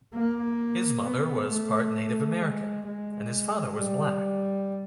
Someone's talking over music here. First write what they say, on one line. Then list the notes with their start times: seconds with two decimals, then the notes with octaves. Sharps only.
His mother was part Native American, and his father was black.
0.14 A#3
1.05 B3
1.50 A3
2.41 G#3
2.87 G#3
3.77 G3